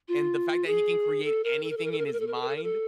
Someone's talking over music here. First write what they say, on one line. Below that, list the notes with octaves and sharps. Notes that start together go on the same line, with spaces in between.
and the fact that he can create anything in his mind,
F4
G#4
A4
A#4
A4
A#4
A4
A#4
A4
A#4
A4
A#4
A4
A#4
A4
A#4
A4
A#4
A4